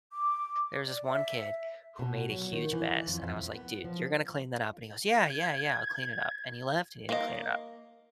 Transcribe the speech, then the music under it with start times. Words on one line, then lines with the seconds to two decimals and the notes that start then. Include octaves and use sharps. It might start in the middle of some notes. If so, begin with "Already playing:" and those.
There was this one kid who made a huge mess, and I was like, "Dude, you're gonna clean that up?" And he goes "Yeah, yeah, yeah. I'll clean it up." And he left, and he didn't clean it up.
0.12 D6
0.87 D5
1.05 E5
1.99 B2
2.30 F#3
2.53 D#3
2.73 E3
3.07 F2
3.22 F2
3.36 E2
3.54 B3
3.85 F3
5.30 G#6
7.09 A#3 D#5